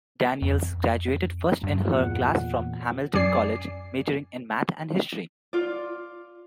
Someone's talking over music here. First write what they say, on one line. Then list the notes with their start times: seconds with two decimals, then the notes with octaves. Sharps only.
Daniels graduated first in her class from Hamilton College, majoring in math and history.
0.42 F2
1.63 G2
1.88 E2 A#2 F#5
3.14 F#2 D5 G#5 C7
5.53 F4 D5